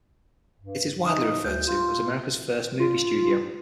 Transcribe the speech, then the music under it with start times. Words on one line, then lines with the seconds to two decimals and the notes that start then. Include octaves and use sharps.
It is widely referred to as America's First Movie Studio.
0.59 G2
1.06 D#4 D#6
1.44 D2 G6
1.67 F4
2.80 F4